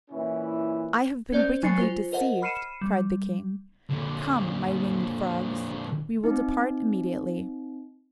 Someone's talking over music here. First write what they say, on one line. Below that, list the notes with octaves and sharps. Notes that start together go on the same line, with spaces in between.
"I have been wickedly deceived!" cried the king; "come, my winged frogs, we will depart immediately."
A#2 E3 C#4 E4
C#4 C5 D5 G6
F#3 G#5 F#6 A6 C7 C#7
F4 C5
A#4 C5 D#5 F#5
B5 F6 C7 C#7 D#7 E7
G3
A#2 D3
C4 D#4